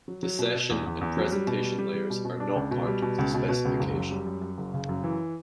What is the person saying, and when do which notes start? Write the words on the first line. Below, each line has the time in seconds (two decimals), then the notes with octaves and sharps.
The session and presentation layers are not part of the specification.
0.08 F#3
0.23 F#3
0.39 B2
0.55 B2
0.70 E2
0.86 E2
1.01 E2
1.17 F#3
1.32 G3
1.47 B2
1.63 G3
1.78 G3
1.94 G3
2.10 B2
2.25 B2
2.40 D4
2.56 C#2
2.71 B2
2.87 G3
3.02 B2
3.18 C#2
3.34 B2
3.49 B2
3.65 C#2
3.80 F#1
3.96 F#2
4.11 G3
4.26 F#2
4.41 F#2
4.58 F#1
4.74 C#3
4.89 F#2
5.04 E3